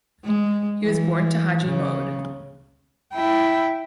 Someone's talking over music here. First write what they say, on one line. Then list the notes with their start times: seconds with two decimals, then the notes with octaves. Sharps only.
He was born to Haji Mohd.
0.25 G#3
0.82 E3
1.64 C#3
3.13 E4 G5